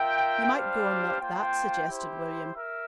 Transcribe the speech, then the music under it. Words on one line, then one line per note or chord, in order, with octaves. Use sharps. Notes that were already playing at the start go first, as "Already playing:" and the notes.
"You might go an' milk that," suggested William.
Already playing: F4 A#4 E5 G5
G3 D4 G4 C5 F5
A#3 F4 C5 G5
E4 G4 C5
A#4 E5